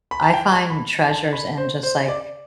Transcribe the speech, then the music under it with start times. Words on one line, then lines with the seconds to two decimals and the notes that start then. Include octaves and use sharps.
I find treasures in just, like
0.11 B5
0.23 A5
0.34 G5
0.52 A5
0.70 B5
1.08 A5
1.33 B5
1.58 C5
1.83 C5
2.08 D5